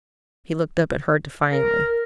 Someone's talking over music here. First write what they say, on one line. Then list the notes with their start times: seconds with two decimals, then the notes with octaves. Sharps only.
He looked up at her defyingly.
1.51 A#4